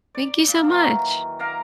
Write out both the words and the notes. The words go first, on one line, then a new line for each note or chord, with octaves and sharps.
Thank you so much.
D5
A#2
D#3 E3 F#3
A#3 A#4 F5 A#5